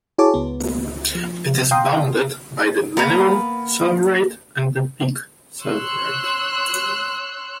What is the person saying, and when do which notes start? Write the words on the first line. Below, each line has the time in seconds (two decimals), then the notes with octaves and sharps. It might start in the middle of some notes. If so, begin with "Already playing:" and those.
It is bounded by the minimum cell rate and the peak cell rate.
0.18 E4 F#4 G#4 C#5 A5 D6
0.34 C#2 B3
1.15 F3
1.71 F5 G5 A#5 C6 D#6
2.97 A#3 B3 B4 A#5
5.62 C#5 C6 E6 F#6